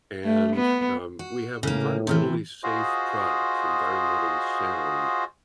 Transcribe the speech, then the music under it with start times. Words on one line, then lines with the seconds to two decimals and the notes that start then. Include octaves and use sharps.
And, um, we have environmentally safe products, environmentally sound
0.25 A3
0.56 B3
1.19 F#4
1.63 A2 C#3 A#3
2.07 C3 D#3 E3
2.63 F4 F#4 G#4 C5 D#5